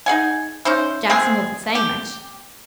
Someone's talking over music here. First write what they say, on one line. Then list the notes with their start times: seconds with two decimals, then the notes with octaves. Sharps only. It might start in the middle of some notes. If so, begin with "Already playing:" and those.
'Jackson wasn't saying much.
0.06 D#4 G#4 F#5 G#5
0.65 C#4 D#4 E4 C5
1.10 C3 A#3 C4 G#4
1.75 G4